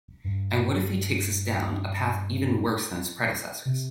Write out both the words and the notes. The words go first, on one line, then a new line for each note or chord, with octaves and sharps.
And what if he takes us down a path even worse than his predecessor's?
G2
C3